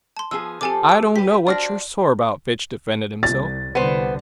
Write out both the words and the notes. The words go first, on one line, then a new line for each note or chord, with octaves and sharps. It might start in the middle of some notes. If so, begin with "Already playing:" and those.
"I don't know what you're sore about," Fitch defended himself.
A5 C6
F3 B3 G#4 E6
F3 C4 G4 A4 G#5 D6
D6 E6
G4 B4 B6
D4 F#4 C5 D5 F6 A#6
C2 A6
C2 D3 B3 C5